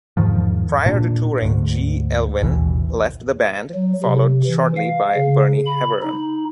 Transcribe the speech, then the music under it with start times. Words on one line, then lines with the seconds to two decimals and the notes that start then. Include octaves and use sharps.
Prior to touring, G. Elwyn left the band, followed shortly by Bernie Heveron.
0.17 E2 G#2 D#3 F3
0.86 A#2 D4
1.42 D2 G#2
2.42 A1 D#2 B2 E3
3.75 F#3
4.03 C3
4.46 E3
4.77 F5
5.16 C#3
5.66 B5
6.02 D#4